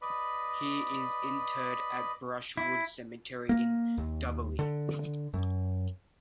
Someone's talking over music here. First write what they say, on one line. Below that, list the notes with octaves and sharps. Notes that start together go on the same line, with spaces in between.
He is interred at Brushwood Cemetery in Dubberly.
B4 D5 D#5 B5
E4
A#3
D#2
D3
F#2